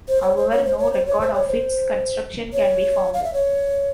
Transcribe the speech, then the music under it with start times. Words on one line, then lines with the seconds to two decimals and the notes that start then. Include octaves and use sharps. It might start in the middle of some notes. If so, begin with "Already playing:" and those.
However, no record of its construction can be found.
0.08 C5
0.22 C#5
0.37 C5
0.51 C#5
0.65 C5
0.78 C#5
0.93 C5
1.06 C#5
1.21 C5
1.34 C#5
1.48 C5
2.53 C#5
3.14 F5
3.24 E5
3.34 C#5